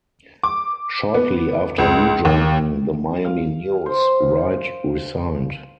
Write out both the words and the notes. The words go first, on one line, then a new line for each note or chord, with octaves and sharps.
Shortly after rejoining the Miami News, Wright resigned.
D6
B3
C#2
D#2
F5
C5